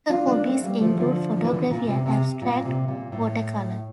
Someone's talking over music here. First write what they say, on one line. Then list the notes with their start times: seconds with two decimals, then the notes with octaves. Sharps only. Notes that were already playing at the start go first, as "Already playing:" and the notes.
Her hobbies include photography and abstract watercolor.
0.09 D4 F4
0.27 A#3 D4
0.46 A3 C4
0.63 G3 A#3
0.81 F3 A3
0.98 D3 F3
1.37 F3
1.45 E3
1.53 D3
1.62 C3
1.70 A#2
1.88 C3
2.06 C3
2.42 A#2
2.65 C3
2.88 A#2
3.12 A2